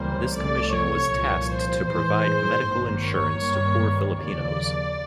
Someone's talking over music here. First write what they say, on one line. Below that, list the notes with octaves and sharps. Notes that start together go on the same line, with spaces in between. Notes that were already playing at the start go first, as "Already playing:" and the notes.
This commission was tasked to provide medical insurance to poor Filipinos.
Already playing: D2 C#3 E3 G3 A#3 C5
C2 C3 F3 A3 D5
C#5
C2 A#2 F3
C5
A1 G#2 E3 G#3 C5
G#1 G2 D#3 F#3 A#3
C#5
G2 D#3 G3 A#3
D#2 C#3 F3 D5